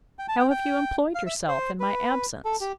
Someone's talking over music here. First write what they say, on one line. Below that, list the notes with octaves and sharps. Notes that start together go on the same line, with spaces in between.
How have you employed yourself in my absence?
G5
A5
G5
G5
F5
E5
C5
B4
A4
G4